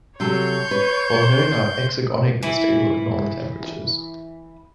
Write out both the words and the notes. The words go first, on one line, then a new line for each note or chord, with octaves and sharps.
All known are exergonic and stable at normal temperatures.
C3 F#3 A4 C#5 C6 G6
B4
E3 E4